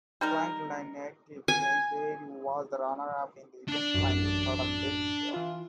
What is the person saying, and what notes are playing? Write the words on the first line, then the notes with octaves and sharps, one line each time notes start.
Franklin native Kenny Perry was the runner-up in the event's final sudden-death playoff.
G3 D#4 A#4
G#5
D4 D5
A1 F#2
E3 F4